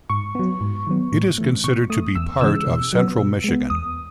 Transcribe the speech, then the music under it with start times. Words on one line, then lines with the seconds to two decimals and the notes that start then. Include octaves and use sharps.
It is considered to be part of Central Michigan.
0.10 G#2 C#6
0.35 F#3 B3
0.61 G#2
0.87 D#3 F#3 B3
1.12 A2
1.38 E3 A3
1.64 B2 C#6
1.90 A3 D#6
2.15 E2 E6
2.41 C#3 E3 G#3 E6
2.67 B2
2.93 F#3 B3
3.18 B2
3.44 G#3 B3
3.70 E2 D#6